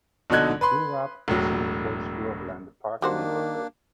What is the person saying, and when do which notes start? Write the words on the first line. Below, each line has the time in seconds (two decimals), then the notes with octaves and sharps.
He grew up in Saint Paul's Groveland Park neighborhood.
0.30 A#1 B2 D3 D#4 F#6 G#6
0.61 B4 B5 C6
1.28 E1 A2 F#3
3.02 D#3 G3 A#3 D4 F#4 C5